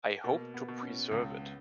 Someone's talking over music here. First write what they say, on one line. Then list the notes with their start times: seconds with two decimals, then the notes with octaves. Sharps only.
I hope to preserve it.
0.24 B2 A#3
0.54 B3
0.68 B2
0.83 C#4
1.11 C#2 C#4
1.40 B3